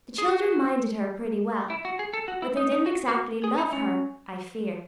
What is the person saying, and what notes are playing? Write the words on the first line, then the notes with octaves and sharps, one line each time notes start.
The children minded her pretty well, but they didn't exactly love her, I fear.
G#4
F#4
E4
F#4
G#4
A4
F#4
E4
D#4
D#4
F#4
F#4
G#4
D#4
C#4